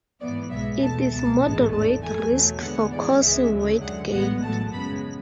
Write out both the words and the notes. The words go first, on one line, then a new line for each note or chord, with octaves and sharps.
It is moderate risk for causing weight gain.
G#2 E3 B3 D5
B1 B2 G#3 B3 E5
E2 B2 A3 A5
C#2 B2 G#3 B3 A5
A1 G#2 E3 G#3 B3 A5
E2 D3 A3 A5
F#2 E3 A3 G#5
E2 B2 F#3 A3
E2 D3 G#3 B3 F#5
G#2 E3 G#3 D5
C#2 C#3 G#3 B3 E5
D2 C#3 F#3 A3
F#2 D3 G#3 F#5
A1 A2 G#3 B3 F#5
A1 A2 F#3 A3 A5
F#2 C#3 G#3 B3 B5